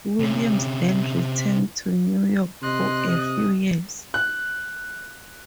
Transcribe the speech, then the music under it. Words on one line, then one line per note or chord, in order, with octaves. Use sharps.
Williams then returned to New York for a few years.
C3 C#4
C3 D#5 C6 F#6
D#6
F#6